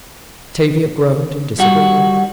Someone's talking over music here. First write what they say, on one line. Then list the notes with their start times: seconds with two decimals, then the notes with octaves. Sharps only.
Tavia groaned in disagreement.
1.59 G3 F#4